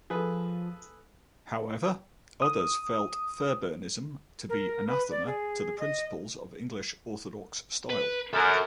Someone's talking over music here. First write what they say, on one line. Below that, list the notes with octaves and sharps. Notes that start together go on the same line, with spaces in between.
However, others felt Fairbairnism to be anathema to the principles of "English Orthodox" style.
F3 G#4 A4 B4
D#6
A#4
B4
D5
G#4
D#5
B4
F#2 A4 A#5